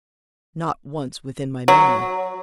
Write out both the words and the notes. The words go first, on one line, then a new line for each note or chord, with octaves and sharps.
"Not once within my memory."
F#3